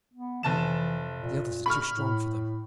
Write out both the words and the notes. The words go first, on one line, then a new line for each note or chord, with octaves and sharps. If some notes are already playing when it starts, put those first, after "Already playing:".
The others are too strong for them.
B3
F1 E3 A5 E7
A#2
B5 C#6 F6
A2